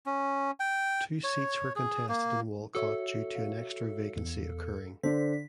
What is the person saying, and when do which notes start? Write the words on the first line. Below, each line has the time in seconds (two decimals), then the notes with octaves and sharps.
Two seats were contested in Walcot due to an extra vacancy occurring.
0.06 C#4
0.60 G5
1.24 C#5
1.76 G#4
2.08 A#3
2.75 F#4 A4 C#5 E5
3.35 F5
4.16 E2
5.03 D3 D4 A4 C5 B6